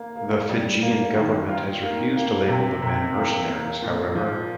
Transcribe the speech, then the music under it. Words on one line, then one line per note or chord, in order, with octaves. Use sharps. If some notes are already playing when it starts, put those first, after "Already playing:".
The Fijian government has refused to label the men "mercenaries", however.
Already playing: A#3
A#3
G3
A#3
D#3
F4
A#3
A#3
C3
C3
A#3
A#3
A#2
F3